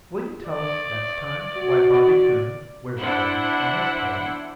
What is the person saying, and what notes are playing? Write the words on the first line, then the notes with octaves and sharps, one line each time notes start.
"Will you tell us next time why Bobby Coon wears rings on his tail?"
D5
F#4
D4 E4 C5 F#5